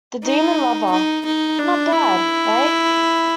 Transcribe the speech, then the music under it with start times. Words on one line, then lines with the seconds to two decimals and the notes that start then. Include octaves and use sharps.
"The Demon Lover " — not bad, eh?
0.24 D#4
0.91 D#4
1.25 D#4
1.59 D4
1.92 E4